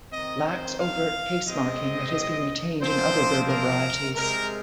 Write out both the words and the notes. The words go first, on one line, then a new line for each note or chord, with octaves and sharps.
Lacks overt case-marking that has been retained in other Berber varieties.
D#3 C4 D#5
C5
F5
C3 G#3 C4 D#5
A#2 F3 C4 C5
A#4
C3 G#3 C4 A#4